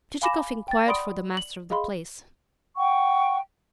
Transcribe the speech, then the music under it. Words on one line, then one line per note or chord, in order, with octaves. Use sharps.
Chichikov inquired for the master of the place.
F5 G#5 B5 D6 A#6 E7
G5 A6
D5 F#5 B5 C6 D#6 D7
F#7
G#4 D#5 F5 B5 C6
F#5 G5 C#6